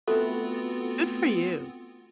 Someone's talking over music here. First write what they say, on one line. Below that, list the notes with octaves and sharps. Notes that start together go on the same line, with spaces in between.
Good for you.
A3 B3 C4 F4 F#4 A4 B4